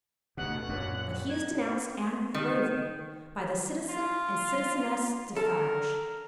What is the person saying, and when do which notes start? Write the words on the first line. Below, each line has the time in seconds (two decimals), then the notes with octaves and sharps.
But he is denounced--and gravely--by the Citizen and Citizeness Defarge.
0.37 D2 B2 F#5
0.69 F#2 A#2
1.29 G#6
2.34 D#3
3.89 F4
5.37 A4 A#4